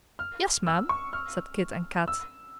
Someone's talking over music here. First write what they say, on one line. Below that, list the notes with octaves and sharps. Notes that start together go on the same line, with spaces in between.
"Yes, Ma'am," said Kit and Kat.
F6
E6
C#6
F6
E6